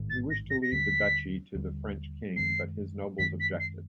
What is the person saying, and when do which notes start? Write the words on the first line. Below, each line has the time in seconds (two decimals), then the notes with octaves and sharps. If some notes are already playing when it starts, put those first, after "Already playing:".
He wished to leave the Duchy to the French king, but his nobles objected.
Already playing: A1 G#2 D#3
0.10 A6
0.30 A#6
0.50 A#6
0.62 A#6
0.72 D#2 D3 G3 B6
1.55 D#2 D3 G3
2.36 F#2 D#3 G#3 C7
3.19 F#2 D#3 G#3 B6
3.40 B6
3.60 C7